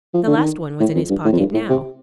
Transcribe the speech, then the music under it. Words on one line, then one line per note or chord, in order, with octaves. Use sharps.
The last one was in his pocket now.
F3
D3
D#3
A2
F2
G2
A2
F2
G2
A2
C3